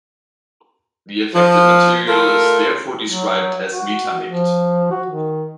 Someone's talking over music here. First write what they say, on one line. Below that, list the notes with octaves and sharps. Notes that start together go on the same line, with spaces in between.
The affected material is therefore described as metamict.
F3
A3 F4 A4 A#4
F#3
F#4
F3
F#4
D#3